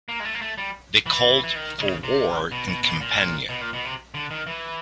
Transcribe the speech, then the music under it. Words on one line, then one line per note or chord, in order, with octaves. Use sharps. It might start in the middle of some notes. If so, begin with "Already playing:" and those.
They called for war in Campania.
A#3
G#3
A3
A#3
A3
G3
E3
E3
D#3
C#3
C3
B2
B2
B2
A#2
B2
A#2
B2
C3
D3
D#3
E3